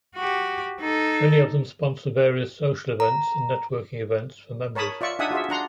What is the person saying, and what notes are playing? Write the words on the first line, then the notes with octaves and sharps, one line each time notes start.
Many of them sponsor various social events and networking events for members.
F#4 G4
D#4 A4
A#5
A#4 C#5 A5 B5 D#6
F4 D5 E5 C#6
D4 D#4 E5 F#5 G#5 D#6
F4 F#4 G#4 E5
D4 F#5 A#5 C6